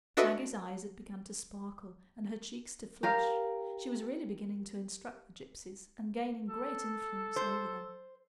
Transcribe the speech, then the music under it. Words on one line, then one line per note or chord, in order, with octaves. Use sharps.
Maggie's eyes had begun to sparkle and her cheeks to flush,--she was really beginning to instruct the gypsies, and gaining great influence over them.
D4 F#4 A4 B4 D#5 E5
G4 A#4 F5
A4
C5